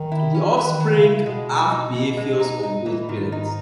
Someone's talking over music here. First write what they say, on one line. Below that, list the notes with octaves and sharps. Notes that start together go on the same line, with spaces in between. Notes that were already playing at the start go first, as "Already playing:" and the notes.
These offspring have behaviors of both parents.
Already playing: D#3
E4
E3 C#4
B4
D#3
F#3
C#3
E4
B2 G#3
F#4
D#4
E3
G#3
D#4
D#4
E3
A#2
G#2 D#3
D#4